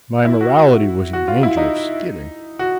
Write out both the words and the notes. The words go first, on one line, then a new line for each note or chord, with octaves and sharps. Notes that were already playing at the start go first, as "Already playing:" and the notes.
My morality was in danger of skidding.
E4
F#4
F#4
F#4
F4
E4
D#4
F#4